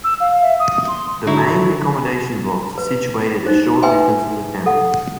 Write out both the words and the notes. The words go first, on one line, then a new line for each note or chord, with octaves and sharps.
The main accommodation blocks are situated a short distance from the town.
E6
F5
E5
D#6
C6
D3 F#3 E4
B4
D#4 C5
B4 E5 G5 G#5 C6
A4 F#5